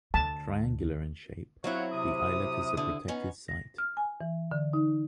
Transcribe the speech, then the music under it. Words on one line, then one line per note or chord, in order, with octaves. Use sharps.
Triangular in shape, the islet is a protected site.
D2 D3 A5
F#3 C4 E4 F4 C#5 F#5
C3 D#6
D3 E4
B3 C#4 D#4
A#6
F6
G#5
E3
D3
D#4